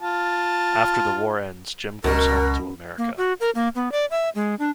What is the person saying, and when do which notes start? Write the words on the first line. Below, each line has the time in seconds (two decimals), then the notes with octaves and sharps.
After the war ends, Jim goes home to America.
0.01 F4 A5
2.04 C#2 F#2 B2 A#4
2.98 A#3
3.17 F#4
3.40 A#4
3.55 A#3
3.75 B3
3.92 D5
4.11 E5
4.35 G#3
4.59 D4